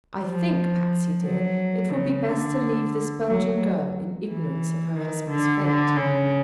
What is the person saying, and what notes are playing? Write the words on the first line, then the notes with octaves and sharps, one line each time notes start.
"I think, Patsy dear, it will be best to leave this Belgian girl in ignorance of her husband's fate."
F3
F#3
C#3
D3
F#3
E3
D#3
D3
D3
C#3